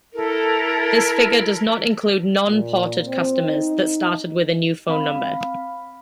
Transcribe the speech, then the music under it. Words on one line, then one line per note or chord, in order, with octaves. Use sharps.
This figure does not include "non-ported" customers that started with a new phone number.
E4 A4 A#4
A#2
C4
D#4
C4 F5 B5